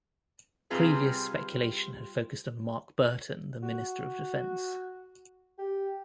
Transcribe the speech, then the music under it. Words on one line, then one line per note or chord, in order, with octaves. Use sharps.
Previous speculation had focused on Mark Burton, the Minister of Defence.
C3 G3 C4 F4 G#4 B4
F#4
G4